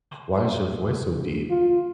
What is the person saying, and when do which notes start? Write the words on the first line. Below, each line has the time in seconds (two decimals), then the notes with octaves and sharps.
"Why is your voice so deep?"
1.50 F4